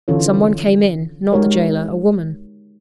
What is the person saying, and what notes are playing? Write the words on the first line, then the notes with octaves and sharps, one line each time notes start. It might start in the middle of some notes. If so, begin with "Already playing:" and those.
Some one came in; not the gaoler--a woman.
D3 E3 C#4 F4 A4 C#5
G#3 D#4 F#4 G4 A#4 C#5